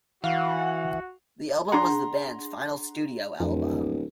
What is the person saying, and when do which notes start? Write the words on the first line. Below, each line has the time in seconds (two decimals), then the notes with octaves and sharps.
The album was the band's final studio album.
0.24 E3 F#4 F5 F#5
1.72 D4 G#4 F#5 A#5 C6
3.40 D1 F2